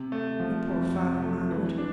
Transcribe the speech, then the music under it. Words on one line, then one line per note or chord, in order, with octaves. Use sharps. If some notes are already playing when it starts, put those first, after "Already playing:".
Your poor father, Margaret.
Already playing: C3
A3
F3
F2
C3
A3
E3
D4